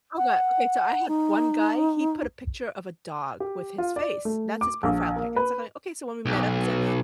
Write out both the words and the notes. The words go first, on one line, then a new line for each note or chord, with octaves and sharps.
Oh god, okay, so I had one guy, he put a picture of a dog with his face. That's his profile pic, and so I'm like, "okay," so when we met up, I said,
F#5
D#4
G4
F4
D5
A3
D6
A#1
A#3
B4
B1